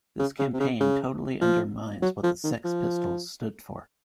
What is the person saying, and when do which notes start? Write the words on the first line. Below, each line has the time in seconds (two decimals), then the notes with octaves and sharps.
This campaign totally undermines what The Sex Pistols stood for.
0.19 C#3
0.39 C#3
0.53 C3
0.60 C#3
0.80 C#3
1.41 F3
2.02 F#3
2.24 F3
2.44 D#3
2.64 F3